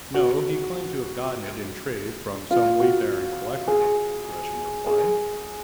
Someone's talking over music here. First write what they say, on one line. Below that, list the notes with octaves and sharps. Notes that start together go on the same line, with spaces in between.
"No, he claimed to have gotten it in trade from some wayfaring collector," Gresham replied.
F#4
F4
F#4
G#4
G#4